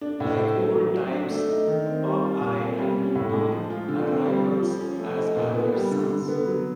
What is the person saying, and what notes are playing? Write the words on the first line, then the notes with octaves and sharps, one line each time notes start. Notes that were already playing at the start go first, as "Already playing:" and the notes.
Like old times, Popeye and Bluto are rivals, as are their sons.
D4
A2
A3
F#3
F#3
F#3
D4
A3
D#4
D#3
C4
G3
F4
A#2
C4
G3
C#4
A2
G#3
F3
F4
D3
C4
G3
F3
F3
C#4
A3
D#4
A#2
B3
G3
D3
D3
B3
F#3